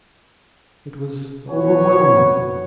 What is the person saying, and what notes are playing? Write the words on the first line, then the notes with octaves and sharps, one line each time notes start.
It was overwhelming.
B2 B3 F#4 B4 C#5